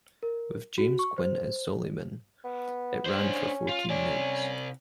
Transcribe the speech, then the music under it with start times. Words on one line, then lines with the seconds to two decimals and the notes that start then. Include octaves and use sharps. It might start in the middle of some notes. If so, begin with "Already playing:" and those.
With James Quin as Solyman, it ran for fourteen nights.
0.23 A#4
0.78 F#4
0.99 C#6
1.18 C5
2.44 B3
3.06 D4 C5
3.22 C#4
3.68 F4
3.90 C3 C#4 D5